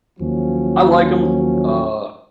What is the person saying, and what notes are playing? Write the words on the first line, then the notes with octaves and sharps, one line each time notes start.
I like 'em. Uh,
D#2 F3 F#3 C#4